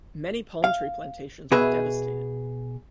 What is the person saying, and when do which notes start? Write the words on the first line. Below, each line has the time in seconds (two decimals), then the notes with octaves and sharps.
Many palm tree plantations were devastated.
0.64 F5
1.52 B2 G#4 B4 E5